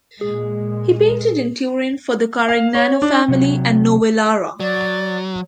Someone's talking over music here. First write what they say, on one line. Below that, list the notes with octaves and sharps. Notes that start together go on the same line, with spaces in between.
He painted in Turin for the Carignano family and Novellara.
A#2 G#3 G#4
F5
C#5
D4
C3 F#3
F#3 D5